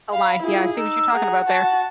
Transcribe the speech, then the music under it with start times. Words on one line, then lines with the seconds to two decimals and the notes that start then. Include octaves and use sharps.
Oh my, yeah, I see what you're talking about there.
0.13 F5 B5
0.42 E4 F4 G#4
0.77 D#4 E6
1.15 G#4 F#5 A#5
1.46 F#4 A5